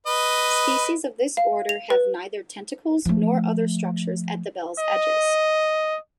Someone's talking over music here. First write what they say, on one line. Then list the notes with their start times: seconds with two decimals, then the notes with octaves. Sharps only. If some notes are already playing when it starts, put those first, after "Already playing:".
Species of this order have neither tentacles nor other structures at the bell's edges.
0.06 B4 D#5
1.37 F5
1.69 F7
1.90 B4
3.05 F3 A3
4.79 D#5